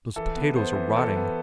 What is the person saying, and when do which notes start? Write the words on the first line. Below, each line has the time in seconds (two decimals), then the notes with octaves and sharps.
Those potatoes are rotting.
0.16 E3 A4
0.36 B3
0.56 B3 C5
0.75 E3
0.95 E3 A4
1.16 B3